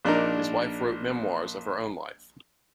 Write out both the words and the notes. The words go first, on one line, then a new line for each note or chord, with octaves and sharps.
His wife wrote memoirs of her own life.
A#1 D4 D#4 A#4